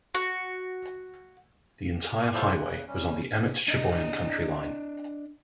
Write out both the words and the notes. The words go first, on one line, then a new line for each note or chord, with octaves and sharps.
The entire highway was on the Emmet-Cheboygan county line.
F#4
F#3 G#3 E4 F4 A4 C5
E2 C#3 F#6
C3 G3 C#4
D4 D#5